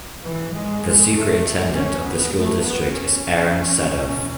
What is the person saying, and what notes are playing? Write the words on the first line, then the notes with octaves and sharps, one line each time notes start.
The superintendent of the school district is Aaron Sadoff.
G#2 E3
G#3
G#3
A3
C#4
B3
A3
B3
C#4
E2 B2